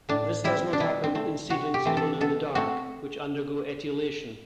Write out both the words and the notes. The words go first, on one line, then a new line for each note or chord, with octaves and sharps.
This does not happen in seedlings grown in the dark, which undergo etiolation.
A2 D4
G3 C4 E4
D4
B2 E4
C4
A3 C4
C3 F#4
G4
E3 A3 C4
A4
B2 A4
A3 C4 F#4